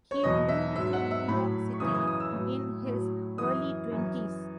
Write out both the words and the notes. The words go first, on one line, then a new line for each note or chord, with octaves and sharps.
He moved to New York City in his early twenties.
C#5
E2 B2 F#3 D#5
E5
G#2 F#3 E5
F#5
E5
A2 F#3 B5
C#6
F#2 C#3 E3 D#6
D#6
D#6
E6
A2 F#3
A2 F#3
F#2 E3 D#6
F#2 E3